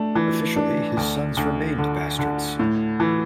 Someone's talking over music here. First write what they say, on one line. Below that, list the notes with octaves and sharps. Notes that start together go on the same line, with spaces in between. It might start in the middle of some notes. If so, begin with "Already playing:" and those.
Officially his sons remained bastards.
Already playing: A3 D4
E3
D4
D2
D2
D3
D3
A2
E3